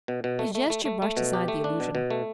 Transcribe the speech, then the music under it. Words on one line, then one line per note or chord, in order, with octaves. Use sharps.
His gesture brushed aside the allusion.
B2
B2
A3
A3
A3
A3
A3
B2
G4
A3
D4
B2
B2
A3